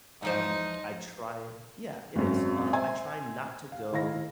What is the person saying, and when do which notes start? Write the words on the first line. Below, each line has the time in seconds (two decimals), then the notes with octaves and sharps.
Um, I try Yeah. It is. Uh, I try not to go
0.23 E2 F3 D#4 C5
2.16 G#1 F#2
2.73 C5 E5 G#5
3.72 F5
3.92 D#3 E4 F5 A#6